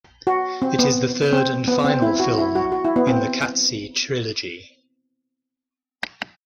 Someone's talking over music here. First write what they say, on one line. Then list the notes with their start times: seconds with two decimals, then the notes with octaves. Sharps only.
It is the third and final film in the Qatsi trilogy.
0.27 F#4
0.62 C4
0.79 B3
1.32 C4
1.68 B3
1.84 C4
2.02 E4
2.20 F#4
2.38 E4
2.55 F#4
2.72 F#4
2.85 E4
2.96 B3
3.07 C4